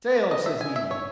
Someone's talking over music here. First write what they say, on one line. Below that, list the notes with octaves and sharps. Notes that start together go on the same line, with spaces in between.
"Sail!" says he.
D#5
E5
G#5
E5
C#5